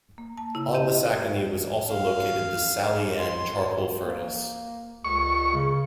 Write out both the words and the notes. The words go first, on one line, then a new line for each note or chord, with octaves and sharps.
On the Sacony was also located the "Sally Ann" charcoal furnace.
A#3
A5
C#3 E4
G4 D#5 E5
F5
C6
A#3
C#2 C#6
C#3